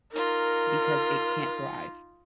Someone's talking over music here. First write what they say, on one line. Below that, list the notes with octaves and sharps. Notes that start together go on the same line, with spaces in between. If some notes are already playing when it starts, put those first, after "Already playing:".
because it can't thrive.
D#4 F4 A#4